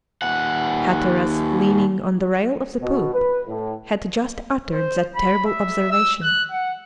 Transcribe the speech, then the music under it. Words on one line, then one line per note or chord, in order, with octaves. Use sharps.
Hatteras, leaning on the rail of the poop, had just uttered that terrible observation.
D#2 F#5
B2
B4
A2
C5
B5
E5
E6
F#6
F#5